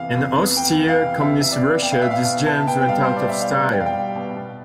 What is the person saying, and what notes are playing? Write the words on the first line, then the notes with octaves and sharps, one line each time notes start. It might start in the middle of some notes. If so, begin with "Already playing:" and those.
In austere Communist Russia, these gems went out of style.
Already playing: F2 C3 E3 B3 F5
F2
B3
B3 G5
E3
F5
C3
C3 E5
E3 E5
D5
B3
B3 G5
F5
B2 E5
F5
B2
E4 A5
B3 G5
G5
G3 F5
C5
B2
D5
B2 E5
F5
B2
B2 G5
F5
G5
G3
B2
B2